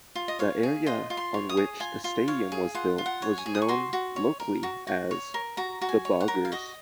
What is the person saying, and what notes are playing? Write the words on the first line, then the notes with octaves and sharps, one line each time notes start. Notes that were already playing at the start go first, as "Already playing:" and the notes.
The area on which the stadium was built was known locally as The Boggers.
F4
D#5
C#5 F5
G#4
F4 D#5
F4
C6
C#5
D#6
G#4
F4 G#5
F4
C#5 F5
G#4
F4 F#5
F4
F#5
C#5
G#5
G#4
D#6
C#6
F#4 C6
F#4
C#5
A#4
F#4
F#4
C#5
A#4
F#4 A#5
F#4
G#5
C#5
F#5
A#4
F5
F#4 D#5